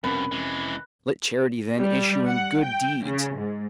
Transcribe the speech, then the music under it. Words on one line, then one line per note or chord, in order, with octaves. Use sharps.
Let charity then issue in good deeds.
F1 G2 B2 C4 C#4 B4
E3 G#3
G3
F#5
G5
C#3
G#2